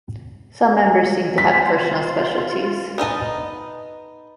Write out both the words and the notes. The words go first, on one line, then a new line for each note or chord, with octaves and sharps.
Some members seem to have personal specialties.
F4 C5 B6
B3 D#4 D#5 A5